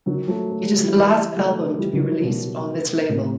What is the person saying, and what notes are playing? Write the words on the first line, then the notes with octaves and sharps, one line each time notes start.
It is the last album to be released on this label.
D#3 F#3
F#3 A3
A3
G3
F#3
E3 G3
F#3 A3
E3 G3
D#3 F#3
B2
A2 C3